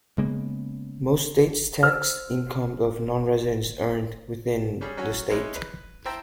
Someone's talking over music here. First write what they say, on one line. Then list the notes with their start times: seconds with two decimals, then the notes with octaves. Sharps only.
Most states tax income of nonresidents earned within the state.
0.18 C#3 G#3 A#3 B3
1.83 C5 E6 F6
4.81 G3 C#4 G#4
4.97 F#3 C#4 F#4 G#5
5.30 G#3 C#4 D#4 E4 G#4 B4
5.55 B4
6.05 E4 C5 E5 G5 A5 A#5